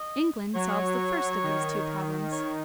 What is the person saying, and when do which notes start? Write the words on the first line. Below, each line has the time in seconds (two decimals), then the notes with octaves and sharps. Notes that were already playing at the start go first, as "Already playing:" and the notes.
England solves the first of these two problems.
Already playing: D#5
0.55 F#3 C#5
1.43 D#3
2.32 C#5